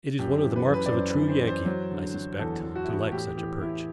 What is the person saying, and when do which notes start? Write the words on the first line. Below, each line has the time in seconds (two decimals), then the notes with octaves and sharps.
It is one of the marks of a true Yankee, I suspect, to like such a perch.
0.19 F#2 G4
0.38 G4
0.43 E3
0.56 B4
0.68 F#2
0.74 B4
0.86 D5
0.92 F#2 C5
1.10 B4
1.17 E3
1.29 C5
1.41 E3
1.47 C5
1.65 F#3 C5
1.91 D3
2.14 F#3
2.39 E2 A4
2.64 E2
2.75 F#4
2.84 E4
2.88 E2 F#4
3.12 A2 G4
3.37 E3 G4
3.61 A2 E4